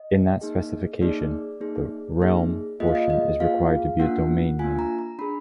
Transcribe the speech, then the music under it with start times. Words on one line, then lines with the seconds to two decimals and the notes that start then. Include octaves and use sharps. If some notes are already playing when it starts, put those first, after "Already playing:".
In that specification, the 'realm' portion is required to be a domain name.
Already playing: D#5
0.41 A#3 D#4 G#4
1.01 A#3 D#4 G#4 D5
1.61 A#3 D#4 G#4
2.20 A#3 D#4 G#4
2.80 A#3 F4 G#4 D#5
2.88 F5
2.95 D#5
3.10 D#5
3.40 A#3 F4 G#4 F5
3.99 A#3 D4 F4 F#5
4.59 A#3 D4 F4 G#5
4.79 A#5
4.99 A#5
5.19 D4 G#4 B5